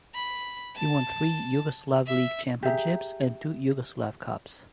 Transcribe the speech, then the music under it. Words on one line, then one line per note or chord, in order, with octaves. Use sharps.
He won three Yugoslav League championships and two Yugoslav Cups.
B5
A5
E5
G4 G#4 E5 A#5